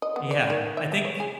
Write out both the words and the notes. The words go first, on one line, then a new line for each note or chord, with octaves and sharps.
Yeah, I think,
D#5
B3
D5
D#3
E5
B3
C#5
G#4